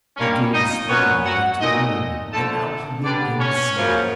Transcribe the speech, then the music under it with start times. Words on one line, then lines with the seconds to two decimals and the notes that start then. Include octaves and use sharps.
He gave a spring after the ring, and out he went in the sea.
0.17 G2 D#3 G3 A#3 C#4 C#5
0.53 D#4 D#5
0.88 A#2 F#3 B3 C#4 C#5
1.25 F#4 F#5
1.60 A#2 F#3 A3 D#4 D#5
2.32 D3 F3 A3 A4 A5
3.04 D3 G3 B3 D4 D5
3.40 C#4 C#5
3.75 F#2 C#3 F3 A#3